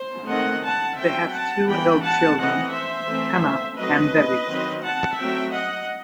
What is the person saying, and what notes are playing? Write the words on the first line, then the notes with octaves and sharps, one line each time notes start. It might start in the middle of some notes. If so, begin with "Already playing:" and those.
They have two adult children, Anna and David.
Already playing: C5
D#3 A3 C4 D#5 F#5
F#5 A5
F#3 C4 E5 G5
F#5 A5
E3 G3 B3 G5 B5
F#5 A5
E3 A3 C4 D#5 F#5
C5 E5
E3 A3 C4
F#3 A3 C4 B4 D#5
D#3 F#3 C4
F#5 A5
F#3 A3 C4 E5 G5
D#5 F#5